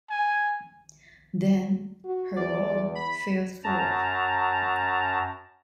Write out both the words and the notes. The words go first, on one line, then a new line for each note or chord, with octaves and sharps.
Then, her role fell through.
G#5
F#4
E2 D5
B5
F#2 A5 A#5